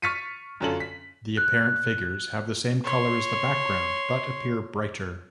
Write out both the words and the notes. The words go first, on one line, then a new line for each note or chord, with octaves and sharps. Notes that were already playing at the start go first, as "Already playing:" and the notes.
The apparent figures have the same color as the background, but appear brighter.
C#6 F6 A6 B6 C#7 D#7
F#2 D3 C#4 F4 A4 F#7
B6
F#6
C#5 C6